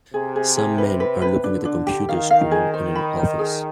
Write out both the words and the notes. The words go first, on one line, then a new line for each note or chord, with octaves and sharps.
Some men are looking at a computer screen in an office.
C3 G#4
G#4
G#4
B4
B4
B4
D3 D4
D4
G4
D#3 F5
F5
G#4
C5
B5
C5
G#4